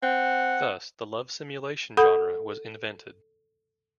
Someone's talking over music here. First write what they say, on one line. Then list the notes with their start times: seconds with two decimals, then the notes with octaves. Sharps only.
Thus, the love simulation genre was invented.
0.03 C4 F#5
1.97 A4 F#5 B5 D#6 G6